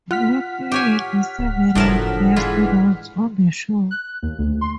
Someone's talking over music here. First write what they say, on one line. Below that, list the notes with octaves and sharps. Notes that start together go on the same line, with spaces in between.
Buller played several guest roles on the show.
F4 F#5 F6 B6
G4 C#5 G#5
D1
F#1 A2 F3 F#3 D4 A#4 A5
E3 G#3 D4 F4
F#6
D#2
D2
C6